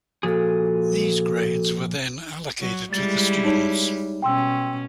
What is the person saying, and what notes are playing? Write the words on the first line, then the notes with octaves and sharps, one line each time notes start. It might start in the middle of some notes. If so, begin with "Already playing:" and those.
These grades were then allocated to the students.
A#2 F3 F#4 G#4 A4
F#3
G3 G#3 E4 A6
D#4 C#5
B2 C#4 G5 C6 E6